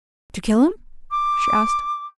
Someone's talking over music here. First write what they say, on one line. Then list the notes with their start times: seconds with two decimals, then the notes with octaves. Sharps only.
"Did you kill him?" she asked.
1.11 D6